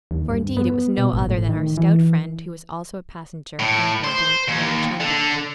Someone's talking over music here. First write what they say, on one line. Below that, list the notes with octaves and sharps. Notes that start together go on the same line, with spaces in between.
For indeed it was no other than our stout friend who was also a passenger on board the Ramchunder.
D#2
G2
B3
B2
G#1
A2
D#3
E3
A2
C5
D#2
D3